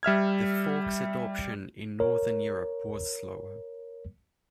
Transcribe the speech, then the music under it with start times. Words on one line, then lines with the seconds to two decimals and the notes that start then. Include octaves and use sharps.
The fork's adoption in northern Europe was slower.
0.03 G3 E5 F6 G#6
2.00 A#4 C#5